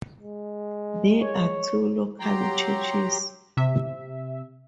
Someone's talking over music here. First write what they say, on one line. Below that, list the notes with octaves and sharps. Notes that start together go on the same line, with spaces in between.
There are two local churches.
G#3
C#5
F#3 G4 G5 A#5 C6
C3 E5